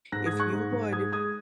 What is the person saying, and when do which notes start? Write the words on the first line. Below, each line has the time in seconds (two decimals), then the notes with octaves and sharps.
If you would,
0.12 G#2 F#6 A#6
0.26 D#6 G#6
0.33 G#3
0.40 C#6 F#6
0.53 G#2
0.73 G#2
0.93 G#3 D#6 G#6
1.13 G#3 D#6 G#6